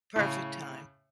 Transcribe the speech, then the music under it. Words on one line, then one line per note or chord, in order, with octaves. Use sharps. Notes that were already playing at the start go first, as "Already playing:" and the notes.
Perfect time.
A2 C#3